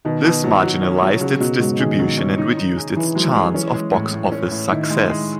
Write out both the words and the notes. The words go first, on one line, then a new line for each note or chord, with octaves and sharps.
This marginalized its distribution and reduced its chance of box-office success.
B2 D#3
B2
F#3
F#3
C#4
F#3
C#3 F#3
B2 F#3
G#2 F#3
D#3 G#4
F#3
C#4
D#4
D#4
G#4
E3 G#4
F#3 G#3
F#3 G#4
E3 C#4
G#3
A2
A2
C#4
A2
D#3 E4
G#3
G#3